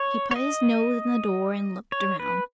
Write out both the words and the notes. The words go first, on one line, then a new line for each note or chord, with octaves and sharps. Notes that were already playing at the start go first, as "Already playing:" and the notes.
He put his nose in the door and looked around.
Already playing: C#5
C#5
D#5
C#5
B4